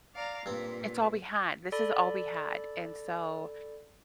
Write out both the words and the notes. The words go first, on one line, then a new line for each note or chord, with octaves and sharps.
it's all we had, this is all we had. And so
D5 F5 A#5
G2 A#2 C4
A4 D5 B5